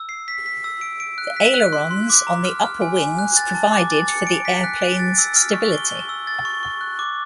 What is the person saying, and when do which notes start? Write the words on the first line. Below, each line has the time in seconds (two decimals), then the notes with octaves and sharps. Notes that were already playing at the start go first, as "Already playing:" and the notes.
The ailerons on the upper wings provided for the airplane's stability.
Already playing: E6
0.09 C7
0.28 B6
0.46 B6
0.64 E6
0.81 D7
1.00 D7
1.18 F#6
1.36 B6
1.54 F#6
1.73 C6
1.91 C6
2.10 D6
2.27 A#5
2.45 F6
2.63 F6
2.82 G#5
3.00 G#5
3.19 F#6
3.37 A6
3.55 A5
3.72 D6
3.90 A6
4.09 C#7
4.27 D7
4.45 B6
4.64 F#6
4.82 D7
4.99 A6
5.18 E6
5.36 F6
5.54 C#6
5.72 G7
5.91 G7
6.09 E6
6.27 A6
6.45 C#6
6.63 C#6
6.81 F#6
6.99 D6